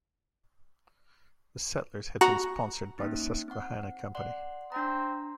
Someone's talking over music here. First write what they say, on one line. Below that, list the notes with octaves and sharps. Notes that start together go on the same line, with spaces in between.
The settlers had been sponsored by the Susquehanna Company.
F#4 A#5
A#3 C#4 D#4
C4 F#5
D5 F#5 C6
C4 D4 A#5